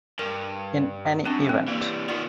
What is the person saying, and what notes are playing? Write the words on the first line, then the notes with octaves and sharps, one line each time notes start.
In any event.
G2 A#4
F#2 C4 D4
C4
E3 G3 A#3
D#3 B3 F4 D5